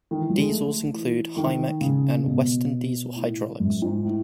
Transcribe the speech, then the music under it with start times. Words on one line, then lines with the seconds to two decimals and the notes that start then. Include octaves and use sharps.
Diesels include "Hymek" and "Western" diesel-hydraulics.
0.11 D#3
0.20 E3
0.30 F#3
0.39 G#3
0.48 A3
0.93 E3
1.37 D#3
1.81 C#3
2.26 B2
3.16 A2
3.60 F#2
3.82 G#2
4.05 A2